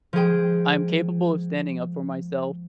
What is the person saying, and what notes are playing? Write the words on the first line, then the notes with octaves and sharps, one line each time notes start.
I'm capable of standing up for myself
F3 G#3 G#4 G5